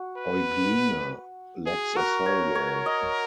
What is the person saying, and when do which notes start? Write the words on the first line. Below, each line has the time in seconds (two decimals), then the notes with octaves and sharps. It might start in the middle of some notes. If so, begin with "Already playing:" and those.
"Euglena" lacks a cell wall.
Already playing: F#4
0.17 B4
1.66 G#4
1.96 F#4 A#4
2.26 C#5
2.55 C#5
2.86 D#5